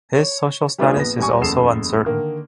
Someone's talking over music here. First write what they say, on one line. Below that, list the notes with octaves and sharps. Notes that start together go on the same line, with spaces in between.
His social status is also uncertain.
C#5
G3 A3 B3 D4 F4 G#4
A#1 B3 A#6
D#1 A#1 G3 G#5 C#6
F#1 E2 C#3 A4 C7 E7
D3 D#3 A#3